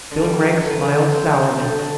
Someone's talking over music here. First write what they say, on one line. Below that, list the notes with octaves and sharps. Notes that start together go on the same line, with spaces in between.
Bill Gregg smiled sourly.
D3
G3
F#3
D3
B4
D3
A4
C4
F5
C4
D3
D3